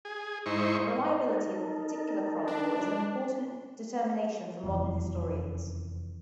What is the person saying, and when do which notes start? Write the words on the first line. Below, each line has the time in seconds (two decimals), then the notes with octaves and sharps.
The reliability of a particular chronicle is an important determination for modern historians.
0.05 G#4
0.46 G#2 D#4 E4 C5 C#6
1.29 D#4 A4 A#4
2.48 D4
4.63 F1 E2